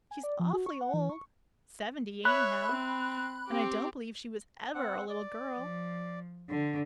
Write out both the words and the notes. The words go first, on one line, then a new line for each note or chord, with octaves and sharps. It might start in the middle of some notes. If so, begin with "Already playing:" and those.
She's awfully old--seventy anyhow--and I don't believe she was EVER a little girl.
G#5
D5
F3
F#4
C#6
F#5
E3
C#6
C#5 E5 B5 F#6
C4
C4 G4
C4 F#5
D5
F3
D3